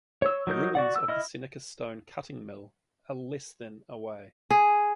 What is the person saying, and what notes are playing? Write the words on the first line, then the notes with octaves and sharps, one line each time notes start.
Ruins of the Seneca Stone Cutting Mill are less than away.
C#5 E6
F#3 D#4 A#4 G6
F#4 D5 F#5
E6
E4 D#5 F6
G#4